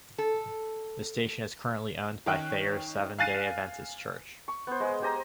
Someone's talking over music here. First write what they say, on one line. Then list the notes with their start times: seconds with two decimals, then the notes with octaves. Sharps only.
The station is currently owned by Thayer Seventh-day Adventist Church.
0.18 A4
2.26 D#3 C#4 G5 F#6
3.19 F5 G#5 F#6 A6 C7 D#7
4.48 C#6
4.67 B3 C5
4.80 G#3 G#4
5.02 G4 C5 D#5 A#5